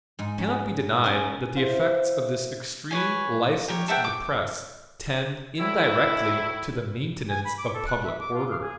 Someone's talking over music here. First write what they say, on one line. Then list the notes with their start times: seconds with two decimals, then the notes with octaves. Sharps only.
It cannot be denied that the effects of this extreme license of the press tend indirectly to the maintenance of public order.
0.19 G#2 D#4
0.38 C#4
1.04 C#4 A#4
1.56 E4 C5 F5
2.91 B4 C#5 G#5
3.68 G4 A#4 C#5
3.88 A4 E5 F#5 G5
4.04 D6
5.59 D2 A2 E4
7.29 G#5
7.45 B5
7.58 D6
7.74 A4
7.87 F#6
8.04 E5
8.20 D6
8.34 F4
8.50 F5
8.61 G#4